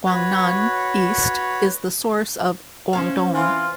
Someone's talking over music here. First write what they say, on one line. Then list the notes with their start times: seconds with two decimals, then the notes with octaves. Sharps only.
"Guangnan East" is the source of "Guangdong".
0.06 F#4 B4 C#5
2.93 C4 C#4 F5
3.34 E3 F4